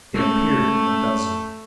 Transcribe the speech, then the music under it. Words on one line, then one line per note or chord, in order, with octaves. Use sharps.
It appeared a dozen.
G#3 A3 B3 C#4